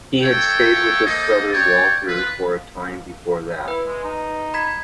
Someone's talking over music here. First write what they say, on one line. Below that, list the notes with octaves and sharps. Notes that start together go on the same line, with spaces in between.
He had stayed with his brother Walter for a time before that.
A4 C#5 E5 G5
A#3 A4 C5 D#5
C#5 D5 G5
F4 B4
E4 B4
G#3
D#4
B5 G#6 B6